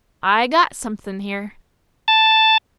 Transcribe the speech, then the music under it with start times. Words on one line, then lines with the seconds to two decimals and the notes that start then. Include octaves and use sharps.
I got something here.
2.08 A5